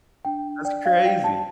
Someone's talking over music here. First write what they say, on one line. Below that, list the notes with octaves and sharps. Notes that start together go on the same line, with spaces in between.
That's crazy.
D4 G5
D5 G5
F5
D5 G5
A5